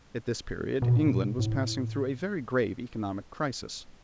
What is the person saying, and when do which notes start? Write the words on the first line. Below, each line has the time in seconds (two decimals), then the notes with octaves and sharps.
At this period England was passing through a very grave economic crisis.
0.82 B2
0.95 A2
1.09 B2
1.39 A2